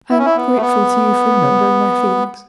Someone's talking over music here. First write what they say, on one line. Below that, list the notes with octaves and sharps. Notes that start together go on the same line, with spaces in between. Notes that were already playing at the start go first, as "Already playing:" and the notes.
"I am grateful to you for remembering my feelings."
E4
C#4
E4
B3
A3
B3